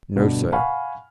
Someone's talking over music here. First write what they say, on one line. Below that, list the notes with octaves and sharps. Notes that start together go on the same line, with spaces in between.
No, sir.
D2 G2 B2 D4
F5 F#5 G#5 B5 C#6 F6